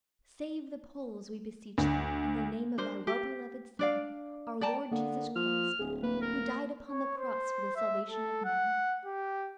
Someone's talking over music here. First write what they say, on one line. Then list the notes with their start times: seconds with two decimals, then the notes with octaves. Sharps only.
Save the Poles, we beseech Thee, in the name of Thy well-beloved Son, our Lord Jesus Christ, who died upon the cross for the salvation of men.
1.78 D2
2.78 D4 A#4 C5
3.07 G4
3.79 D4 D5 F5
4.61 D5 G5 A5 A#5
4.91 D3 A#3 B3
5.36 F3 F6
5.79 D1 G#4
6.03 A#3 B4
6.22 A#4
6.87 C#5
7.17 C5
7.76 E5
8.09 A4
8.45 F#5
9.05 G4